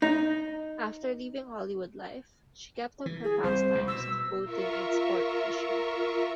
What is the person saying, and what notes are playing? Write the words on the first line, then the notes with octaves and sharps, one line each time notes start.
After leaving Hollywood life, she kept up her pastimes of boating and sport fishing.
D#4
E3
G#4
C2 C5
C2
B2 E6
F4 A#4 E5 C#6